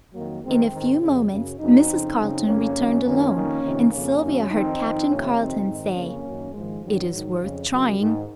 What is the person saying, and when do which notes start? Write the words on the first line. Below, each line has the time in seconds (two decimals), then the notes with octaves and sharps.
In a few moments Mrs. Carleton returned alone, and Sylvia heard Captain Carleton say: "It is worth trying."
0.13 F2 D#3 F#3 A#3
0.43 F2 D#3 G#3 C4
0.71 G#2 D#3
1.01 F2 C#3
1.30 F#2 C#3
1.59 F#2 C#3 C4 D#4
1.88 F2 C#3
2.17 F#2 C#3
2.46 F2 C#3 A#3 C#4
2.76 F#2 D#3
3.04 F#2 D#3 A#3 C#4
3.33 F2 D#3
3.63 F2 C3 D#3
3.92 F2 C#3 A#3 C#4
4.21 F#2 D#3
4.50 F2 D#3 C4 D#4
4.79 F2 D#3
5.08 F2 C3 D#3 A#3 C#4
5.37 F2 C3 D#3 C4 D#4
5.66 G#2 D#3
5.95 F2 C#3 A#3 C#4
6.24 F#2 D#3
6.53 G#2 D#3 F3 G#3
6.82 F#2 D#3 F#3
7.12 G#2 D#3
7.41 F2 C#3
7.70 F#2 C#3
7.98 G#2 D#3